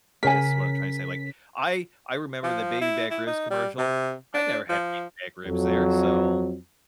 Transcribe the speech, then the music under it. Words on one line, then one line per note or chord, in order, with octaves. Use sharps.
Guess is what I'm trying to say, like, I I remember the baby back ribs commercial. I never had baby back ribs there, so
C#3 A#4 G#5 B6
F3
E4
E4
D#4
G3
C3
D4
F3
F2 F#3